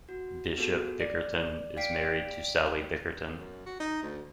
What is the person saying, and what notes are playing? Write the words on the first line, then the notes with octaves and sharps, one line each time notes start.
Bishop Bickerton is married to Sally Bickerton.
F#4
B3 F4 F#4 G#4 A4
D5
D5 F5 G5 B6 C7 D7
F#2
F#4
D#4
D2